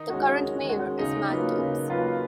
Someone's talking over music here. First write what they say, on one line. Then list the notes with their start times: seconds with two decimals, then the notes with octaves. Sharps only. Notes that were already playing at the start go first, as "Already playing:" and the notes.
The current mayor is Matt Dobbs.
Already playing: D#3 D#4
0.10 G#3 C#4 F#4
0.40 D#3
0.69 G#3 C#4 F#4
0.99 C#3 D#4
1.29 F#3 A#3 F4 B4
1.58 C#3
1.88 F#3 A#3 F4 B4